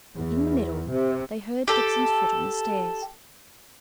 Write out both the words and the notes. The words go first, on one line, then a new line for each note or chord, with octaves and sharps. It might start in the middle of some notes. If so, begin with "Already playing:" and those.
In the middle, they heard Dixon's foot on the stairs.
E2
C3
G4 A4